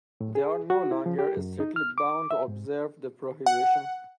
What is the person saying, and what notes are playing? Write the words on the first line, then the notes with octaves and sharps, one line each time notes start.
They are no longer strictly bound to observe the prohibition.
A2
G#4
F#4
E4
F3
G4
F#2
D#4
F6
D6
E5
G#2
F#5